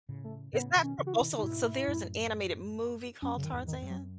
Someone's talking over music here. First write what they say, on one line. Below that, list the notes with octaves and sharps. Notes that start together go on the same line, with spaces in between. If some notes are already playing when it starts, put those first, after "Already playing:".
Is that from also, so there's an animated movie called Tarzan?
A2 C#3
A3
A2 C#3 B3
B2 D#3
C#4
C#3 E3
F#4
E4
B2 D#3
C#3
D#4
G#2 B2 E4
F#2 A2
F#2 C#4
C#3
D#3
E2 G#2
D#3
F#2
F#3